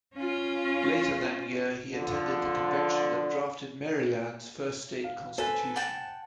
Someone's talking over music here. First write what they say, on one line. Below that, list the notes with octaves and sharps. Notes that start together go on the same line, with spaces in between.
Later that year he attended the Convention that drafted Maryland’s first state constitution.
C#4 F4
D3 F3
F5
A4 B4 C5 G#5
F#5 G5 A5